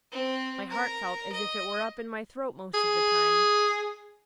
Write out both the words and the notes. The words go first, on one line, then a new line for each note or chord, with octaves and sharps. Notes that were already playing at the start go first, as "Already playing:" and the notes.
My heart felt as if it were up in my throat most of the time.
C4
A#4
D#5
G#4